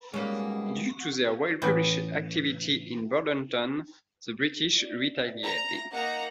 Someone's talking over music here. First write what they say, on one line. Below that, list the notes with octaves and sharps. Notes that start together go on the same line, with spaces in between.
Due to their well-published activity in Bordentown, the British retaliated.
G#2 B2 G3 A#3 C#4 G#4
A2 E3 B3 C#4
A#5
A#3 D#4 F#5 A#5